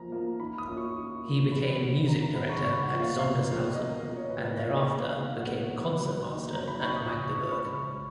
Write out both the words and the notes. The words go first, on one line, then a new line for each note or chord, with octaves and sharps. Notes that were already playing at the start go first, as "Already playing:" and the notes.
He became music director at Sondershausen, and thereafter became concertmaster at Magdeburg.
Already playing: F3 A#3 A#5
A#3 F4
D#3 B5
D#6
A#3 C#4 F4
C#6
D#3
A#3 C#4 F4
C#3 B5
F#3 B3 D#4
C#3 A#5
A#5
F#3 B3 D#4 B5
C#6
B5
C#3 C#6
F#5
F3 A#3 C#4 F4
F5
C#3 F5
F3 A#3 C#4 F4
B2 D#5
A#4
A#3 F4
C#5
B2 B4
A#4
A#3 F4 F5
D#5
A#2
F5
G#3 B3 D#4 F5
F5
A#2 F#5
G#3 B3 D#4
F#3
A#3 D#4
F#3 A#5
B5
A#3 D#4 C#6
C#6
D#6
C#3 D#6
C#6
G#3 C#4 F4 C#6
B5
C#3 C#6
G#3 C#4